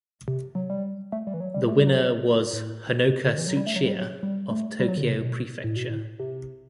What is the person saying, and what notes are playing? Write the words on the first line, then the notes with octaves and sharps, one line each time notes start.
The winner was Honoka Tsuchiya of Tokyo Prefecture.
C3
F#3
G3
A3
G3
E3
F#3
G3
A3
G3
F#3
A2
C3
D3
E3
F#3
G3
A3
F#3
G3
F#3
G3
A3
G3
F#3
D3
C3
B2
A2
B2
A2
C3